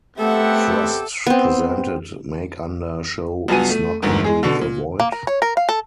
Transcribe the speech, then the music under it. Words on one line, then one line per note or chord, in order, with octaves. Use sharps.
Frost presented makeunder show Snog Marry Avoid?
A3 B3 C4 G4 A4 E5 F#5
B3 C4
C#2 G2 F#3 B3 G#5 D#7
A3
G1 D2 G#2 A#4
G#3 G#4
B2 D3
A#2
A#3
A#4
C#5
A#4
F5
A4